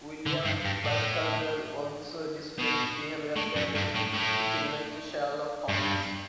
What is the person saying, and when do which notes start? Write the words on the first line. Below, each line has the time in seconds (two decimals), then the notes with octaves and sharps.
William of Baskerville also displays behavioral characteristics similar to Sherlock Holmes'.
0.26 D3
0.45 G2
0.65 G2
0.84 A2
2.58 B2
3.36 A2
3.55 F#2
3.75 G2
3.95 A2
4.13 A2
5.69 G2